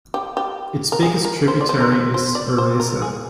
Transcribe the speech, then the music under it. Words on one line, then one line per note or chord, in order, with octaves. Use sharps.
Its biggest tributary is Aresa.
G4
G4
A#4
G#4
A#4
C5
D5
C5
A#4
C5
C5
D5
C5
A#4
G#4